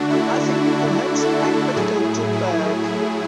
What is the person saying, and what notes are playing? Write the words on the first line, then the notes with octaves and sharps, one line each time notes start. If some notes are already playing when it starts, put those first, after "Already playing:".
I think perhaps I'd better go to bed.
Already playing: D3 A3 D4 F#4
E4
D4 F#4
F#4 A4
A2 F#3 A3 E4 G#4
E4
E4